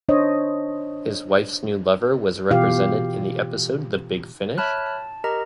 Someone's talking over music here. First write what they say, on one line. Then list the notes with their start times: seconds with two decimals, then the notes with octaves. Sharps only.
His wife's new lover was represented in the episode The Big Finish?
0.09 D4 C5 C#5 D#5
2.51 B2 E3 F4 G4 F5
4.58 C#5 E5 A5 B5 F6 F#6
4.86 A5
5.24 G4 A#4 D#5 A#5